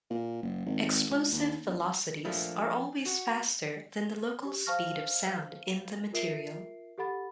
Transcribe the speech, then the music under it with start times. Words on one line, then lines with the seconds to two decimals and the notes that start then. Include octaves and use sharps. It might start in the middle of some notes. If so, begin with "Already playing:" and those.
Explosive velocities are always faster than the local speed of sound in the material.
0.10 A#2
0.42 F#1
0.66 G#1
1.10 C#2
1.32 D#2
1.65 E1
2.25 F3 A3 A#3 D4
3.06 F#4
4.45 G4
4.66 C5 F5 A5 C#6 F6 A#6
6.13 F4 A#4 E5 C7 D7
6.98 G4 A4 F#5 B5 A6